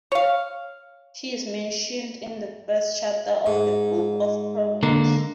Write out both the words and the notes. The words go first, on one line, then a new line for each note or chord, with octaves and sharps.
She is mentioned in the first chapter of the Book of Proverbs.
C#5 F5
G#2
D3 A#3